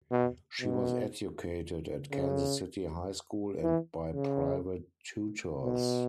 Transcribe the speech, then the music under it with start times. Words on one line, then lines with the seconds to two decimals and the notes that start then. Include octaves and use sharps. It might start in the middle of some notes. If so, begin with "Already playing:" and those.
She was educated at Kansas City High School and by private tutors.
0.11 B2
0.61 B2
2.12 C#3
3.62 E3
4.13 C#3
5.63 B2